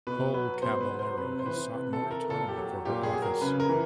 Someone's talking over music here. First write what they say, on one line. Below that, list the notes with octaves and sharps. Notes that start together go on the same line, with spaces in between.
Hull Caballero has sought more autonomy for her office.
B2 B4
F#3 B4
B2 C5
B4
F#3
C5
C3 B4
C5
E3 B4
C3 B4
A4
E3
A#4
A#2 A4
G4
F#3
A#2 G4
G#4
F#3
A#4
C#3 B4
A#4
E3